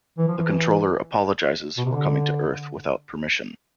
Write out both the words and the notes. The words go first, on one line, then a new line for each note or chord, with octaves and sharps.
The Controller apologizes for coming to Earth without permission.
E3
F3
E3
B2
C3
D3